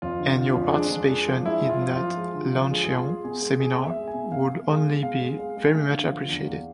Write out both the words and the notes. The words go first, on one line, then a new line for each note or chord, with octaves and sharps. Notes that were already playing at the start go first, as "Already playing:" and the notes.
And your participation in that luncheon seminar would only be very much appreciated.
F2 F4
D3
D3 F4
F2
G#3 D4
G#3
G#3
F3
G#3 E4
F3
F4
F3
F4
F3
G#3
D3
F3
G#3
G#4
G#3 F4
G#3
B2 G#4
G#3
G#3 G#4
B2
E5
G#3
G#5
B2
B2 F5
B2
G#3
G#3
B2 F5
G#3
G#3
G#3
A3
D3
F3
E2
E2